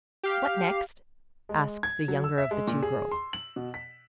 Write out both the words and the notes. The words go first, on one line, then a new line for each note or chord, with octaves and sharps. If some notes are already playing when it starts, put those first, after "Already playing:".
"What next?" asked the younger of the two girls.
G4 F5
G#3
G#6
F#3
E6
E5
G#3
A#2
G#4
C6
F#7
B2
B6